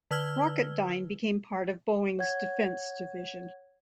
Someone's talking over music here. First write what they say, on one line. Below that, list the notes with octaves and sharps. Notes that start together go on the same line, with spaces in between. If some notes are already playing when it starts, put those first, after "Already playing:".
Rocketdyne became part of Boeing's Defense division.
D3 B4 E6 F6 G#6 G7
C#5 F#5 G#6